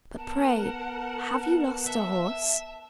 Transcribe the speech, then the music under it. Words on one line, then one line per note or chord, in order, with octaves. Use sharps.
But, pray, have you lost a horse?
B3 A#4 F#5 A5
E5